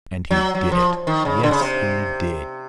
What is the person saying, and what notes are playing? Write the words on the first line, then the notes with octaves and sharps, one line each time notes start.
And he did it; yes, he did!
F#3
F#3
F3
D#3
C#3
D3
C#3
C3